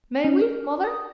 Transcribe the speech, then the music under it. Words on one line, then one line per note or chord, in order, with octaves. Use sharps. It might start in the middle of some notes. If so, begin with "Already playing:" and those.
"May we, Mother?"
C#4
A#4
D#6